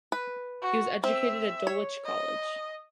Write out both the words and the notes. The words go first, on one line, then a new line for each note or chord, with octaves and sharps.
He was educated at Dulwich College.
B4
F#4
C4 E5
C#5
D#5